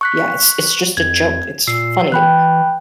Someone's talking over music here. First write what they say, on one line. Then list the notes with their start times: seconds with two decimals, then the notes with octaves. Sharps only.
Yeah, it's it's just a joke; it's funny,
0.01 C#6 F#6 B6
0.97 F2 G#6
1.67 A#2 E6 C7
2.12 E3 G5 B5 F#6